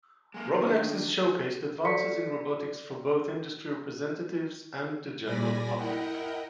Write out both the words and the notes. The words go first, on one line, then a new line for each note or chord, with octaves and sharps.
RoboNexus showcased advances in robotics for both industry representatives and the general public.
G#3 A#3
D#3
D4
A4 D5 B6 C#7
A#2 G3 D5 G#5 B5 A#6
E4 A#4 D#5 F#5 G5